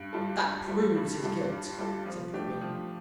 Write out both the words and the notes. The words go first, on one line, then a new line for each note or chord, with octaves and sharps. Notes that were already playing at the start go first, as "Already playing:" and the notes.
'That PROVES his guilt,' said the Queen.
Already playing: G2
G3 F4 A4
G2
G3 F4 A4
G2
G3 F4 A4
G2
G3 F4 A4
F3
A3 D4 G4
F3